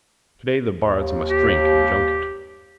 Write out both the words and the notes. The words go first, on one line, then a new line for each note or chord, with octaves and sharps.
Today the bards must drink and junket.
D#2
G4